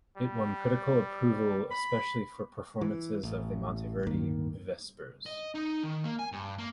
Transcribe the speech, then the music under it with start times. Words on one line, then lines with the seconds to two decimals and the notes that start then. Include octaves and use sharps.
It won critical approval especially for performances of the Monteverdi Vespers.
0.17 G3
1.71 B5
2.81 E3
3.23 A1
4.07 D1 G2 D#3 A#3
5.26 D#5
5.55 D#4
5.84 D#3
6.04 A#3
6.19 G#5
6.32 G2
6.58 A#3